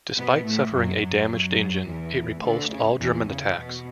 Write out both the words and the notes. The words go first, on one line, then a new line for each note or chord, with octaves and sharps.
Despite suffering a damaged engine, it repulsed all German attacks.
B2 B3
A2 A3
F#2 F#3
F#2 F#3
E2 E3
D2 D3
C#3
E2 E3
C#3
B2